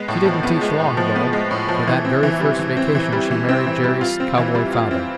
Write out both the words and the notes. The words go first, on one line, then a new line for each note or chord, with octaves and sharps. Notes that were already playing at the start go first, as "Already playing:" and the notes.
She didn't teach long though, for that very first vacation she married Jerry's cowboy father.
Already playing: G#3 B3
A2
F3
B3
G#3
A2
F3
B3
G#3
A2
F3
E3
C4
E3
G3
E3
C4
E3
G3
E3
C4
E3
G3
F4
C4
E3
G3
F4
C4